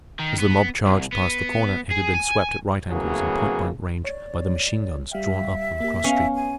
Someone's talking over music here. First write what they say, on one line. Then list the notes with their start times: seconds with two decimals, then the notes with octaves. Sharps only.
As the mob charged past the corner, it had been swept, at right angles and point-blank range, by the machine-guns drawn up on the cross street.
0.20 D#3
0.40 B3
0.87 C2
1.13 B3
1.91 G#4
2.15 G#5
2.90 A2 C#3 F#3 A#3 B3 G#4
4.05 C#5 D5
5.12 G3 E5 F5 G5
5.80 A#3 G4
6.04 B3 C#4 F5
6.35 G#5